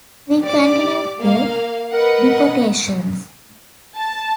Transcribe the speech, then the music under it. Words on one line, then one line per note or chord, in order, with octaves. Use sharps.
We continued the deportations.
G4 D5 D6
A#3 F5
A#4 B4 D#5 F#5
A5